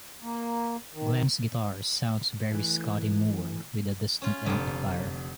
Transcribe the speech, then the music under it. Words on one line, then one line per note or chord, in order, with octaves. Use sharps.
Glenn's guitar sounds very Scotty Moore, with a distant amplifier.
A#3
D#3
E3 A3
C#4 F4
F1 D3 F4